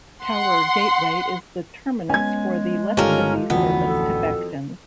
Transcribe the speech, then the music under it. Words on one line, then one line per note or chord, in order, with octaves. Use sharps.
Tower Gateway is the terminus for the less busy service to Beckton.
F#5 C6
G#3 B3 C#4 G#5 G#6
G1 D#3 C#4 F4 G4 A4 A#4
D1 A1 F2 D3 E3 F#3 B3
A4